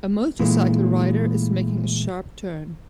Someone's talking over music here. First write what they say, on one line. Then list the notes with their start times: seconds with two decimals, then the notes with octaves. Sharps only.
A motorcycle rider is making a sharp turn.
0.39 A#2 E3 G#3 A3